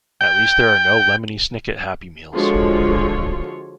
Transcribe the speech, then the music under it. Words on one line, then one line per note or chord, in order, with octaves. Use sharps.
At least there are no Lemony Snicket Happy Meals.
G5
D3 F3 G#3 F4 F#4 C#5